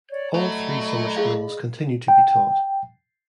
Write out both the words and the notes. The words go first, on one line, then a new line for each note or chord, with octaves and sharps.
All three summer schools continue to be taught.
C#5 D5
F#3 A3 D5 D#5 B5
G4 G#4 F5
G5